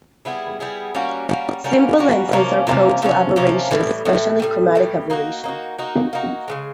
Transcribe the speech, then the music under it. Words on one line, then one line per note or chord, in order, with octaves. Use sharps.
Simple lenses are prone to aberrations, especially chromatic aberration.
G3 B3 E4 G#4
G3 B3 E4 G#4
G3 A#3 C#4 F#4
G3 A#3 C#4 F#4
G3 A#3 C#4 F#4
G3 A#3 C#4 F#4
C3 F3 A#3 C#4
C3 F3 A#3 C#4
C3 F3 A#3 C#4
C3 F3 A#3 C#4
A2 E3 G3
A2 E3 G3
A2 E3 G3
A2 E3 G3
A#3 D#4 F#4
A#3 D#4 F#4
A#3 D#4 F#4
A#3 D#4 F#4
C#3 E3 G#3